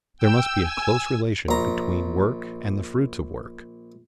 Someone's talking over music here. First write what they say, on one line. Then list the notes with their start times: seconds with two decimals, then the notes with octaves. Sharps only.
There must be a close relation between work and the fruits of work.
0.18 G5 E6
0.62 G#5 E6
1.49 A#1 A#5